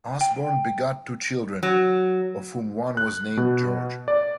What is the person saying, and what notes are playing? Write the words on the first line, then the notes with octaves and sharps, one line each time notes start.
Osborne begot two children, of whom one was named George.
G5
F#3
F#6
B2
D5